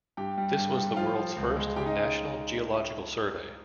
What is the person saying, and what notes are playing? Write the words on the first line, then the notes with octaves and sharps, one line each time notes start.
This was the world's first national geological survey.
G2 G4 G5
G3
G2
G3
F3 F4 F5
F3
C#2
G#3
C#3 G4 G5
D#4 D#5